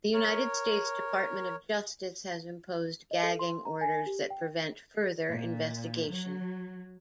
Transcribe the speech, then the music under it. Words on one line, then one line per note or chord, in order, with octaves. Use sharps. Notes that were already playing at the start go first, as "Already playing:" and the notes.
The United States Department of Justice has imposed gagging orders that prevent further investigation.
A#4 C#5
D#5
A4
C6
A#5
G#5
G4
G5
A#2
F#3